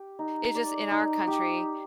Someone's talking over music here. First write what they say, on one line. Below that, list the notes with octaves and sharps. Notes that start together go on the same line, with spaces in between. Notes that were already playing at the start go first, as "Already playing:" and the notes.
it's just in our country,
Already playing: G4
D#4
D5
D#4
G4